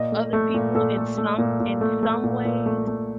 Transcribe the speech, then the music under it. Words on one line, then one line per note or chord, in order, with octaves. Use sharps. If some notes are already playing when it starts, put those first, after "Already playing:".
other people in some in some ways
Already playing: A#2 D#5
A3
A3
A#2
A#2 A4
A3
A3
A#2
A#2
A3
A3
A#2
A#2
A3
A3